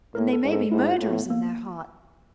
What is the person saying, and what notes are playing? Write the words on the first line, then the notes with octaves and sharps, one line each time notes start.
And they may be murderers in their hearts.
A2 A#4
A4
G#2
A4
G#2 E4
F4
A2
B3
A#3